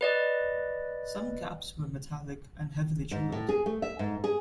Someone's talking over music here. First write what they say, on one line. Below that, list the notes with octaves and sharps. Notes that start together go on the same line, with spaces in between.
Some caps were metallic and heavily jewelled.
B4 D5 D#5
G#2
A2
G#4
A3
E5
G#2
G#4